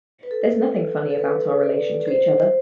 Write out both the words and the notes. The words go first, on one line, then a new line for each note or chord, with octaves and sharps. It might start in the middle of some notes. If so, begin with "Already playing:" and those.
There's nothing funny about our relation to each other.
B4
A4
A4
B4
D5
C5